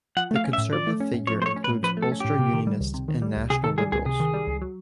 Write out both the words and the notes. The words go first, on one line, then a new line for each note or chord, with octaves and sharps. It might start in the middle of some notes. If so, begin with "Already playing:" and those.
The Conservative figure includes Ulster Unionists and National Liberals.
F3 F#5
A3 F5
C#4
E5
A2
F3 D5
A3
C#4
A2
F3 C#5
A3 C5 C#5
C#4
B4
A2
F3 B4
A3
A4
C#4
A2 G4
C3
D#3
G3
C#2
C3
D#3
G3
C#2
C3 G#4
D#3 A4
G3 G#4
C#2 G#4
C3 G#4
D#3
G3
C#2
F#3